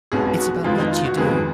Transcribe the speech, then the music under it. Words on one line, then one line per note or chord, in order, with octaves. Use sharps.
It's about what you do.
B1 B2 G#3 B3 G#4
F#4
F2 D#3 G#3 B3 F4
D#4
F4
F#4
F2 D#3 G#3 B3 G#4